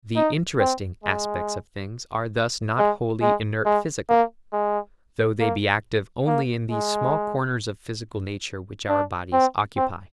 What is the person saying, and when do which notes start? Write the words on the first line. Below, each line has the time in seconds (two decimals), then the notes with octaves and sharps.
The 'interesting' aspects of things are thus not wholly inert physically, though they be active only in these small corners of physical nature which our bodies occupy.
0.16 D#4
0.60 C4
1.03 G#3
2.78 G#3
3.22 G#3
3.65 G#3
4.09 A#3
4.52 G#3
5.40 A#3
6.27 A#3
6.71 G#3
8.89 D4
9.33 C4
9.77 C4